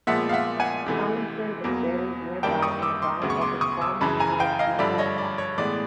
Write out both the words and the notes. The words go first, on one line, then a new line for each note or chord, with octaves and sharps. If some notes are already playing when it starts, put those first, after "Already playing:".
Tomison is buried nearby in the grounds of his former home, Dundas House.
A#2 F3 G#3 B3 E5 F#5
F5
E5 F#5
F#5 G#5
C#2 C3 E3 A3
E2 B2 F#3 A#3
F#2 D#3 G3 A#3 G5 A5
C#6 D#6
D6 E6
C6 D6
D2 C#3 F#3 B3
C#6
C6 D6
C#6 D#6
D6 E6
F#2 C#3 E3 A5 B5
G#5 A#5
F5 G5
D#5 F5
G2 D3 F3 D5 E5
C#5 D#5
D5
C#5
A2 E3 G#3 B3 D5